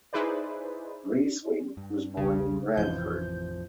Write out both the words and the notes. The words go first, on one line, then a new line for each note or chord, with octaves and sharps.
Braithwaite was born in Bradford.
D#4 E4 G#4 B4 C5 D5
G2
E1 B1 C#3
A1 F2 C3 E3 F3 G6